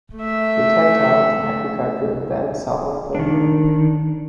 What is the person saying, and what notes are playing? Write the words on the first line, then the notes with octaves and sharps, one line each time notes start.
The Teltow is an agricultural belt south of Berlin.
A3 E5
D#3 D4